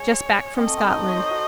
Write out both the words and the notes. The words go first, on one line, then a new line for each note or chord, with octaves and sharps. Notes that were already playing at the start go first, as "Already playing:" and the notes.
Just back from Scotland.
Already playing: G#3 C#5
C4 D#5
A3
C4
D#4
C#5
C5
F#4